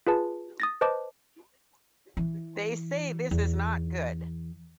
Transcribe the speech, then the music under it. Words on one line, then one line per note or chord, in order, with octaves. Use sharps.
They say this is not good.
F4 G#4 B4 A5
D#6 A6 A#6
B4 C5 D#5 A5 D6
E3
E2